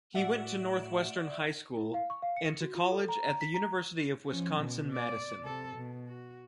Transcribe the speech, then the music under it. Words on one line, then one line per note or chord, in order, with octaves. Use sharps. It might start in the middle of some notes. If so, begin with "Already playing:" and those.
He went to Northwestern High School and to college at the University of Wisconsin–Madison.
A2 F#4 D5 E5 F#5
E4
F5
C#6
F5
C#7
F#4
F4
A4
A#5
A#5
B6
A#5
F3 C#4
B2
D5
C3 A4
B2
F#4